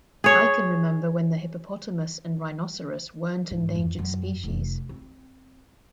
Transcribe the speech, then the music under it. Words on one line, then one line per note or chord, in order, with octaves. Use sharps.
I can remember when the hippopotamus and rhinoceros weren't endangered species.
G#4 C#5
G#2
F2
F#2
F1
C4